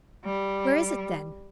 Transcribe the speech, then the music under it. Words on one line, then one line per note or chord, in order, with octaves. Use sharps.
"Where is it, then?"
G3